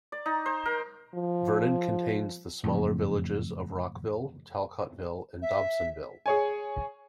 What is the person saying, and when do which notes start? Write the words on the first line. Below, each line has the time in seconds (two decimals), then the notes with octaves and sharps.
Vernon contains the smaller villages of Rockville, Talcottville and Dobsonville.
0.12 D5
0.26 D#4
0.46 C5
0.66 A#4
1.14 F3
2.64 F#1 F2 A2
5.42 E5
6.26 G#4 C#5 G#5